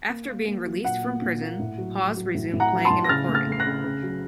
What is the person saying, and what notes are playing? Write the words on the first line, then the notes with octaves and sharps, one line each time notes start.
After being released from prison, Hawes resumed playing and recording.
A#3
A#3
A#3
F#3
A#2 F#5
A#3
A#2
A#3
A2
F#3
F#3
F#3
A2
A2
F#5 A#5
F#3
A5 C6
A2
A#6
C#3 F6 A6
A3
F6 A6
A3
C7
F#6 A#6
C#3
C#3
F#3